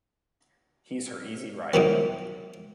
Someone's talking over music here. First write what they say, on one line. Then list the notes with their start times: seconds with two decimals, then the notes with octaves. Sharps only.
He's her easy rider.
1.74 C2 D#3 F#3 B3